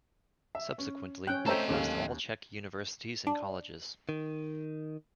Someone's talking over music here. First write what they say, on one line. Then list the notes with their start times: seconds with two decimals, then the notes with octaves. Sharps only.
Subsequently, they closed all Czech universities and colleges.
0.55 E5
0.78 C#4
1.27 C#4 G5 F#6
1.46 A3 A4 C5 C#5 D#5 E5 G5 A#5
1.70 D#2 C#4 F5
3.27 D4
4.09 D#3